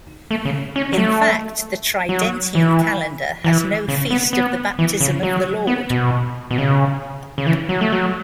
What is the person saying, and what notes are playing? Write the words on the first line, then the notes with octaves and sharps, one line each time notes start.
In fact, the Tridentine Calendar has no feast of the Baptism of the Lord.
A3
C#3
C#4
F#3
A3
F#3
E3
E3
C#3
B3
B3
E3
C#3
F#3
B3
B2
B2
C#3
C#3
E3
F#3
A3
F#3